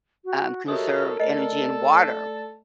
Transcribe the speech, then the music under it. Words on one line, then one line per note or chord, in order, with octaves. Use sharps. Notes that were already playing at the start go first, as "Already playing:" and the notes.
um, conserve energy and water,
F#4
F#4 G4 A4 A#4 C#5 D#5 E5 D#6
A3 A4 D5 D#5 A5